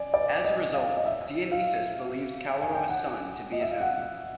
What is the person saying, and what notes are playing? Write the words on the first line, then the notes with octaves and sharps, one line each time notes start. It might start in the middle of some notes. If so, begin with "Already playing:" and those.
As a result, Dionysius believes Callirhoe's son to be his own.
Already playing: D5 G#5
D5
D#5
F5
D#5
E5
F5
G#5
G5
F#5
D#5
E5
F5
F#5